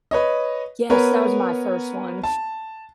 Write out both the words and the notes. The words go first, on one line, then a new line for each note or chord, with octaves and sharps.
Yes, that was my first one.
B4 C#5 D#5
B3 A#4 B4 C#5
A5